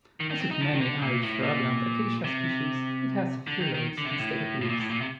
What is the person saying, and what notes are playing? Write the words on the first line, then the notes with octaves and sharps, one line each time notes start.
As with many arid shrubland "Acacia" species, it has phyllodes instead of leaves.
D#3
D#3
C4
D#4
F3
D#3
D3
A#2
A2
A#2
C3
D3
D#3
D#3
D3
C3
D3
A2
A2
A#2
A2
A#2
C3